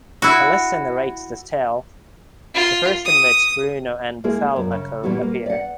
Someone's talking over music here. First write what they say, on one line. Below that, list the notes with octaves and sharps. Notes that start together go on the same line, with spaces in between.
Elissa narrates this tale, the first in which Bruno and Buffalmacco appear.
E4 F#4
F4
D#6
G#3 A#3 E4 G#4
F#2
C#3
A#2 E3 G3 B3 F#4
A#3
D5 F#5